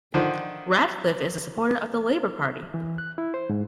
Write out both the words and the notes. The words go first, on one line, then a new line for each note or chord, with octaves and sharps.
Radcliffe is a supporter of the Labour Party.
D3 D#3 F3 C5
E3
F#6
E4
C5
G#2